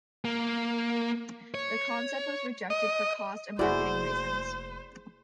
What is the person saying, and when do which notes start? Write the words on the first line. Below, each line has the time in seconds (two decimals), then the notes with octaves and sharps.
The concept was rejected for cost and marketing reasons.
0.25 A#3
1.54 C#5
2.70 D#5
3.59 F1 A#3 E4 F#4 G#4 C5 D5